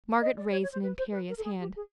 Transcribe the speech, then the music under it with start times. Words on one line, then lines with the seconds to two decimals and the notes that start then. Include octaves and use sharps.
Margaret raised an imperious hand.
0.21 D#5
0.36 D5
0.51 C#5
0.61 C#5
0.72 C5
0.83 B4
0.98 C5
1.12 B4
1.28 A#4
1.38 A4
1.43 G#4
1.59 G4
1.74 G#4